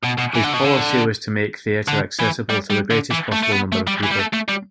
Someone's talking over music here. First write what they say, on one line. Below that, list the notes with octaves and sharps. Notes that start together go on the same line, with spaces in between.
His policy was to make theatre accessible to the greatest possible number of people.
B2
B2
E3
D3
B2
D3
D3
E3
G3
G3
D3
E3
A3
A3
B3
A3
G3
E3
G3
A3
A3
G3